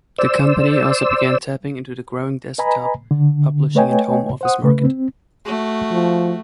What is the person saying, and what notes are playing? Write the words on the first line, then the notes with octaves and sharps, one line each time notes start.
The company also began tapping into the growing desktop publishing and home office market.
C5 D5 E6
B4 D#5 G#5 A#5 B5
D3
A3 B4 C#5 D#5 G5 G#5
C5 F#5 D#6
C#3 A3 B4
C4
A3 F#4
F3